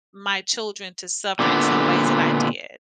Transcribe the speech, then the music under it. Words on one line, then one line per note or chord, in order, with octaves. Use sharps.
my children to suffer in some ways that I did,
A#2 D3 B3